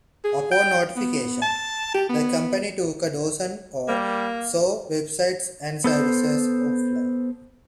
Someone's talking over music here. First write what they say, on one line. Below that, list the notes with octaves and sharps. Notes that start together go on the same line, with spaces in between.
Upon notification, the company took a dozen or so websites and services offline.
G#4
G5
B3
A5
G4
B3
G3 A#3
B3 A4 C5